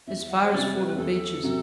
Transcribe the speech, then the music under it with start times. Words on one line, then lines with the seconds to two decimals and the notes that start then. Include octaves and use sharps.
'As far as Fordham Beeches.
0.07 E2 E5
0.30 F#5
0.43 C5
0.52 C3 G3 D5
0.75 B4
0.87 B4
0.97 E2 A4
1.43 C3 F#3